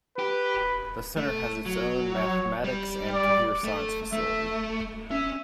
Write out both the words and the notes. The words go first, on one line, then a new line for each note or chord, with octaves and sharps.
The Center has its own mathematics and computer science faculty.
G4 B4
A3
F#3
C#5
G3
D5
A3
A3 E5
C#4 E5